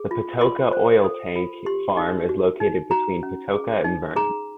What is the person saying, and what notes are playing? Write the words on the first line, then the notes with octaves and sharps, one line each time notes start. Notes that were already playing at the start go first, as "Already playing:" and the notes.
The Patoka oil tank farm is located between Patoka and Vernon.
Already playing: G#4
F4
F4 C6
C5
A4
F4
G4 C6
D#4
F#4
D#4
F#4 A#5
C#4
G#4
D#4
G#4 A#5